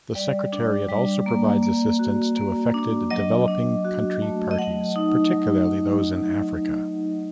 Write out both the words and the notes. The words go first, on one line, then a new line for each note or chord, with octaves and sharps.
The secretariat also provides assistance to affected developing country Parties, particularly those in Africa.
G3 D5
D4
G3
A#3
A#3
F#4
A#3
D4
F#3 D#5
D4
F#4
A3
D#5
F#3 F#5
D#4
F#3